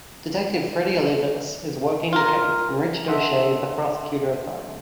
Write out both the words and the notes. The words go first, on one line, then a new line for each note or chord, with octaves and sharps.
Detective Freddy Olivas is working the case and Richard O'Shea is the prosecutor assigned.
F4 A#4
D4 A4 D#5 E5 F#5 C6